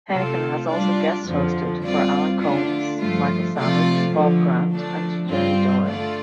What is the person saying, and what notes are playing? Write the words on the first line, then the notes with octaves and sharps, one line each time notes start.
Henican has also guest-hosted for Alan Colmes, Michael Savage, Bob Grant and Jerry Doyle.
C3 A3 C4 F4 A4
G3 D4 F4 D5
F2 D3 F3
G3 C4 F4 D5
D3 A3 D4 F4
G2 F3 A3 F4
C3 F3 A3 F4 D5
D3 F3 A3
F3 A3 D4
G2 G3 C4 F4
D3 A3 F4 D5